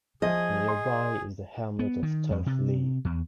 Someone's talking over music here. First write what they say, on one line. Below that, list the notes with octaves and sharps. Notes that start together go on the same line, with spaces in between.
Nearby is the hamlet of Turf Lea.
F3 G#4 D#5
C6
B3
D#3
F2
C3
E2